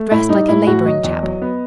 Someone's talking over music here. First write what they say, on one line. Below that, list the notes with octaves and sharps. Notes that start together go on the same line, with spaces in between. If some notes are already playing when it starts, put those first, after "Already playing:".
Dressed like a labouring chap.
Already playing: A3
A2 E4
G3 D#4
A2 E4
A2 F#4
F#3 D#5
E2
F#3
B3